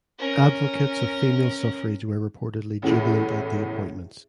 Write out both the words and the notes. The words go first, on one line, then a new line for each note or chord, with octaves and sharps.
Advocates of female suffrage were reportedly "jubilant" at the appointments.
C#4 A#4
A1 E2 A2